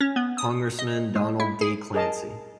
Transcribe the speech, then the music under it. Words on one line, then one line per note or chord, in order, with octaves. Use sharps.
Congressman Donald D. Clancy.
C#4
B3
D#6
D#5
G#3
E4
G#4
G#4 A#4 D#5 A5